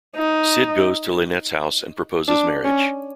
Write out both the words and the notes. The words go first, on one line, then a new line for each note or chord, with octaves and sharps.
Sid goes to Lynette's house and proposes marriage.
D#4
D4
C#4